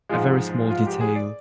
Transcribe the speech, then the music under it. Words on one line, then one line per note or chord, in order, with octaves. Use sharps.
A very small detail.
G#2 F3 G#3 F4
F4
G4
G#4
D5